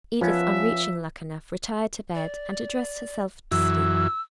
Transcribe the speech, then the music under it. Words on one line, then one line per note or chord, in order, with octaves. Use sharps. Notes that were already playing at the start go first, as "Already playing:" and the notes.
Edith on reaching Luckenough retired to bed, and addressed herself to sleep.
F3 B3 C#4 F4 B4 E5
D5
F#2 E3 E6